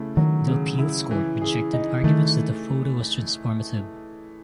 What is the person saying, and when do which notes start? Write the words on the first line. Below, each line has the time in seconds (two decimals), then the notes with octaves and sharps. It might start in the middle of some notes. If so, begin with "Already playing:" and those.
The appeals court rejected arguments that the photo was transformative.
Already playing: C#3 A3 E4
0.17 D#3 F#3
0.48 C#3
0.79 E4
1.11 E3
1.42 G#4
1.73 D#4
2.04 D#3 A3